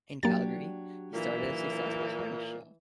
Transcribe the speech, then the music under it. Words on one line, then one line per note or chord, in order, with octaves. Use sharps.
In Calgary, he started a successful harness shop.
F#3 A#3 D4 G4 A6
A#2 E3